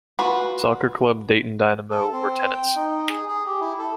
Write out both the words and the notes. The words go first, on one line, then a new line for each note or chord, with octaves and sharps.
Soccer club Dayton Dynamo were tenants.
F4 F#4 B4
A4
C4
G5
D#4
G#4
G#4
G4
E4
A4